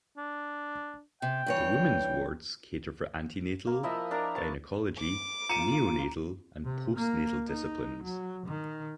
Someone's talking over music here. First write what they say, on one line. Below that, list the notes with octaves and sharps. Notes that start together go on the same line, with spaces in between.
The women's wards cater for antenatal, gynaecology, neonatal, and postnatal disciplines.
D4
C3 G5
G2 E3 C#5
A#3
F3 E4 D#5 E5
D4 A#4 A#5
A5 C#6
D6
F4 A#5 C#7 D#7
C3
A#3
D#4
F#3
D#3